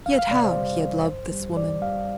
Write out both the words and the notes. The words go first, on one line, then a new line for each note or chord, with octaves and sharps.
Yet how he had loved this woman!
F2 F5
F5
C3 D5
C5
G3
F2
G2
G3
G2 D5
G3 F5